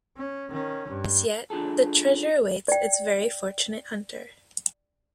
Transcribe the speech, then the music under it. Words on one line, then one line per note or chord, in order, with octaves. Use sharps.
As yet, the treasure awaits its very fortunate hunter.
C#4
D#3 C#4
G2
D4 F4 G#4 A4
D5 G5